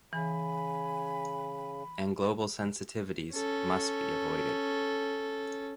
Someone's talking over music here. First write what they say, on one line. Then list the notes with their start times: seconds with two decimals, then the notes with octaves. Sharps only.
And global sensitivities must be avoided.
0.13 C#3 E3 G#5 B5
3.34 C#4 A4